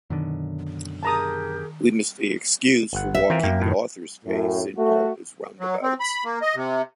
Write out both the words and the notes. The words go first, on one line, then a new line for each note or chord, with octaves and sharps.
We must be excused for walking the author's pace in all his roundabouts.
F#2 B2 D3 D#3
G4 G#4 A#4 A5 A#5 D#6
G1 F#5
E5
E3 C4 F4 A#4
F#2 A#3 G5
A2 D#3
F#2 A2
A3 F#4
F#3
C4
B5
A#3
D#5
C3